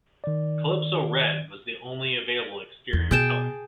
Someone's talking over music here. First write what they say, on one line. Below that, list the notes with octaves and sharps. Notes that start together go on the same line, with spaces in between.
Calypso Red was the only available exterior colour.
D#3 D5
E2
B2 G#4 G5 A5